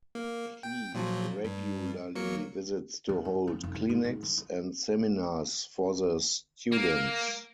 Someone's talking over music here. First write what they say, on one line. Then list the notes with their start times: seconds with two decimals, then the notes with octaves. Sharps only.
He regularly visits to hold clinics and seminars for the students.
0.15 A#3
0.63 G5
0.94 A#2 F3 F#3
1.44 G2
2.15 F#3 A#3 C#7
3.09 D#3
3.25 E4
3.47 F2
3.64 F1
3.75 D#4
3.89 G#2
4.05 G#2
4.23 D#3
4.37 E4
6.72 A#3